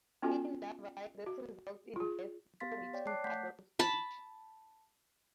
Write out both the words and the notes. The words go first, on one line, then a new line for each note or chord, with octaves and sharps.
In larvae, this results in death before reaching the adult stage.
B3 C#4 F4 F#4 A4 G#5
F#4
F4 G#4
B3 G4 F5 C6 A6 B6
C#5 D5 G5
C#5 A5 D6 F#6 C7
A3 F#5 G6 B6
A5 B5